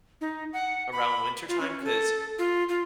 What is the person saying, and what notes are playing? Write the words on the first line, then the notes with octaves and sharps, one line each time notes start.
around wintertime, 'cause
D#4
F#5
B5
F4
C#4
A4
F4
F4